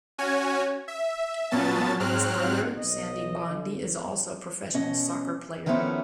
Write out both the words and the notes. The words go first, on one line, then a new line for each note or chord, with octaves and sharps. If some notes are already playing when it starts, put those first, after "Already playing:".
Gbandi's brother, Sandy Gbandi, is also a professional soccer player.
C#4 F#4 C#5 G#5
E5
A#2 F#3 B3 C#4 A5 A6
G#2 F#3 C4 F6 F#6
B1 D#5
D3
B2 C#4 D#5
D#3 F3 A3 B3 C#4 E4